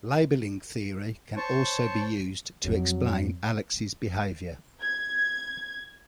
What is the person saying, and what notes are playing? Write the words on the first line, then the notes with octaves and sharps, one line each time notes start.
Labeling theory can also be used to explain Alex's behavior.
C5 C#5 A5 C#6
F2 F#3
G#6